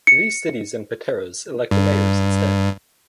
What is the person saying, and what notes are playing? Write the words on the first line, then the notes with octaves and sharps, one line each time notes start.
These cities and Pateros elect mayors instead.
C#7
G2